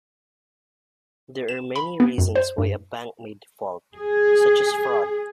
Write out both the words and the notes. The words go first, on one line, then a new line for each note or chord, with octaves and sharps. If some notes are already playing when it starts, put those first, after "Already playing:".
There are many reasons why a bank may default, such as fraud.
E7
B5
B3
F#2
C5
G2
G#4